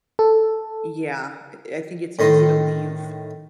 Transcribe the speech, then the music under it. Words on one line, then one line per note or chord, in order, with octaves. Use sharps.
Yeah, eh I think it's easy to leave
A4
A2 D#3 C6